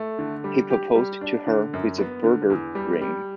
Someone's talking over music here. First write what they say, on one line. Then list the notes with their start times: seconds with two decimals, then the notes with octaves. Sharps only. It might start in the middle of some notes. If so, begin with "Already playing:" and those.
He proposed to her with a burger ring.
Already playing: A3
0.19 D3
0.44 G3
0.70 G4
0.95 G3
1.21 D4
1.47 D3
1.73 F#2
1.98 B3
2.24 D3
2.50 E2
2.75 G3
3.01 G3